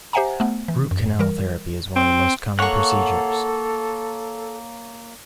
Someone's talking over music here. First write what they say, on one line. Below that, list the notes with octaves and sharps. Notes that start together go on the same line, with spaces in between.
Root canal therapy is one of the most common procedures.
G4 C5 E5 F#5 G#5 A#5
A3 B3
E3
F#2
E3 G3 A#4
C4
A#3 A4 C#5 F#5 C#6 F#6